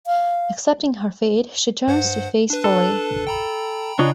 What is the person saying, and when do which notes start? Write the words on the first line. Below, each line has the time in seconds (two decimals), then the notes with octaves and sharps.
Accepting her fate, she turns to face Foley.
0.07 F5
1.88 G2 C5 F#5
2.50 D4 B4
2.64 A4
3.27 G5 A#5 B5
3.99 C#3 D4 F4 C#5 D#5 F#6